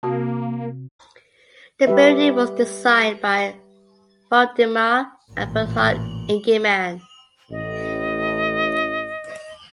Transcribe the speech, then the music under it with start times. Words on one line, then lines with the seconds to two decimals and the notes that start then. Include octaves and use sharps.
The building was designed by Valdemar and Bernhard Ingemann.
0.03 C3 A#3 C4 F#4 A5
1.87 G3 G4 B4 E5
5.31 A1 A#2
7.52 A1 A2 D#5